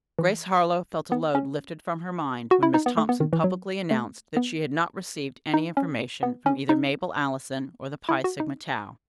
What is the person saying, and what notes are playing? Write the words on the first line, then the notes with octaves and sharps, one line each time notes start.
Grace Harlowe felt a load lifted from her mind when Miss Thompson publicly announced that she had not received any information from either Mabel Allison or the Phi Sigma Tau.
E3
B3
C#4
F#4
E4
D#4
B3
A3
B3
D#3
E3
F#3
A3
B3
D#4
C#4
B3
C#4
D#4
E4
F#4
D#4